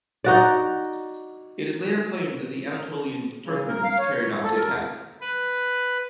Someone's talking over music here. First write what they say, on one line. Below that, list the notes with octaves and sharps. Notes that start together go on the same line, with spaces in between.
It is later claimed that the Anatolian Turkmens carried out the attack.
D#4 F#4 D5
C#3
A#4
F5
C#5
G#2
A4
A#4
E2
B4